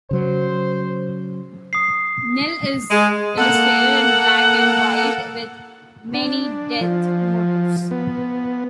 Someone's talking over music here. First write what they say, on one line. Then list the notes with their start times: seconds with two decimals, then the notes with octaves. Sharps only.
"Nil" is illustrated in black and white with many death motifs.
0.11 C#3 F#3 C5
1.73 D#6 C7
2.91 G#3
3.38 A#3 A4 F#5
6.14 D4
6.81 F3
7.91 B3